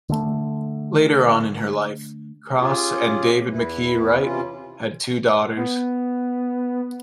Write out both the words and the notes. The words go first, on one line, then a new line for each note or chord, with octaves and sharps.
Later on in her life, Cross and David McKee Wright had two daughters.
D3 A3
C#4 F4 G4 G#4
E2 E4 B4
C3 E3 C#4 F4
B3